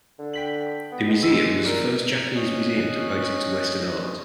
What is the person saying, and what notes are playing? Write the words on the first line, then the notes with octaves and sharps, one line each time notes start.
The museum was the first Japanese museum devoted to Western art.
D3
G5 B6 F#7
B3
G#3
E6
A#4 D5
C#4 D#5 F#6